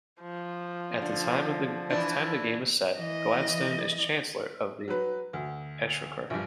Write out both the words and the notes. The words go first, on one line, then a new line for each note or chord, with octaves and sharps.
At the time the game is set, Gladstone is Chancellor of the Exchequer.
F3
D3
E3 D4
E3 D#5
F#3 B4
D2
A#1 G2